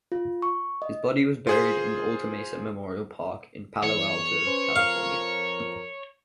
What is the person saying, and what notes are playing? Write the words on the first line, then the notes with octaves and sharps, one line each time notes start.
His body was buried in Alta Mesa Memorial Park in Palo Alto, California.
F4
C#6
D#5
F4 G#4 C5
E2 E3 C#5
C#4 B4 C5
F2 F3 A#4 F5